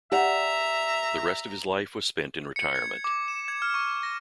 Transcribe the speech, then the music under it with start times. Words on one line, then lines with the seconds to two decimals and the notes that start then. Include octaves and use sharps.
The rest of his life was spent in retirement.
0.12 G4 D5 E5 F#5 A#5
2.56 C#7
2.75 G#6
3.04 D6
3.28 E7
3.48 G#6
3.62 F6
3.74 C#6
4.03 A#6